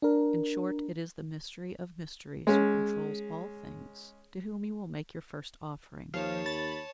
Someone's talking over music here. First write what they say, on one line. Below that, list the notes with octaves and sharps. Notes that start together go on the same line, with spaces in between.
In short, it is the Mystery of Mysteries, who controls all things, to whom you will make your first offering.
D4 A#4
G#3 C#4
D#2 F3 C#5 F5 A5
B5 A6